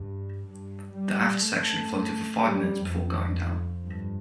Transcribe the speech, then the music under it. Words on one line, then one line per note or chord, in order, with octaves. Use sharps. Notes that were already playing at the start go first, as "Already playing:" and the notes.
The aft section floated for five minutes before going down.
Already playing: G2
G2
G3
A3
G3
F2
G2